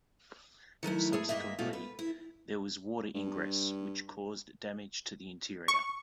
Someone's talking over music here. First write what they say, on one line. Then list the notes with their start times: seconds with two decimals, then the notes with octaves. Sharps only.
Subsequently, there was water ingress, which caused damage to the interior.
0.83 D#3 F#3 A3 E4
1.13 A3 G#4
1.29 G2 D#3 A#3 D#5 E5
1.58 G#2 B2 A3 D4 F4 F#4
1.73 B4
1.99 E4
3.15 G2
5.68 C#6